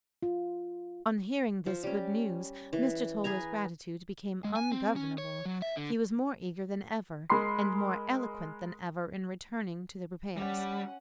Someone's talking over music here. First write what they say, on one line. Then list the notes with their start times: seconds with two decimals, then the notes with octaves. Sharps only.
On hearing this good news, Mr. Toller's gratitude became ungovernable: he was more eager than ever, and more eloquent than ever, in returning to the repairs.
0.23 F4
1.66 F3
1.83 G3 C#4
2.73 E3
3.24 G#4 B4 G#5 A#5
4.44 G#3
4.56 G#5
4.72 C4
4.96 C#4
5.18 C#5
5.45 F#3
5.62 E5
5.77 D3
7.30 G#3 A#4 B5 C6 C7
10.37 G3 C#4 F#5